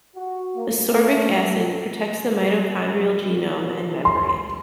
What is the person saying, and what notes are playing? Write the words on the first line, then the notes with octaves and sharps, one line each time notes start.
Ascorbic acid protects the mitochondrial genome and membrane.
F#4
A#3
A3
C6